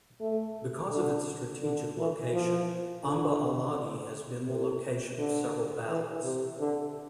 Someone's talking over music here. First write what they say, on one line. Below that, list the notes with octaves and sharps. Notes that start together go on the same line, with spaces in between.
Because of its strategic location, Amba Alagi has been the location of several battles.
A3
D3
D3
E3
F3
D3
C3
D3
E3
C3
D3